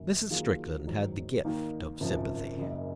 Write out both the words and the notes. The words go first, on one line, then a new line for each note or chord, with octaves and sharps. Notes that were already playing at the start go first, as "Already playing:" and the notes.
Mrs. Strickland had the gift of sympathy.
Already playing: F#1 F#2 D#3
D#3 F#3 A#3 F4 G#4
G#2 D#3 F#3
D#2 D#3 A#3 D#4
G#1 F#2 C#3 F3
F#1 F#2 C#3